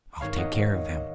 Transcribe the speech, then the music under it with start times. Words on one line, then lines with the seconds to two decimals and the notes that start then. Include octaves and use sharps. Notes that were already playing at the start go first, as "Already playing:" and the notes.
I'll take care of them.
0.21 G#1 G#2 D#3 C#5 F5
0.38 D#5 F#5